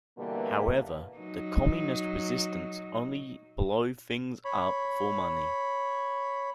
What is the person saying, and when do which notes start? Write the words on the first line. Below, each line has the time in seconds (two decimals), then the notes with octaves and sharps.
However, the communist resistance only blow things up for money.
0.18 B2 D3 E3 G3 A#3
1.18 F#3 D#4
4.45 C#5 B5